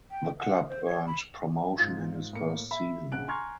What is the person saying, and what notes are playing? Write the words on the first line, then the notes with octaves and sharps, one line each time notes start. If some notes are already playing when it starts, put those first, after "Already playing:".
The club earned promotion in his first season.
G5
F#5
C5
C#5
B5
G#2 F4
A2 A#3 C#7
E5 B5
A#1 C#3 F#5 F#6 D7
G#5 A#5 C6 C#6 F6 G#6